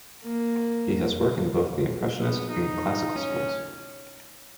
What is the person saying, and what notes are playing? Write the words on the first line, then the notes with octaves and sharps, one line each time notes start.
He has work in both the impressionist and classical schools.
A#3
B3
D#4
C#4